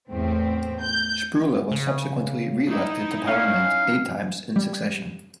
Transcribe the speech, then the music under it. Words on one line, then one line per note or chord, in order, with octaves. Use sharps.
Sproule was subsequently re-elected to Parliament eight times in succession.
E2 A2 C4
G6
C#3
D#4 E4
C#4 F5
G3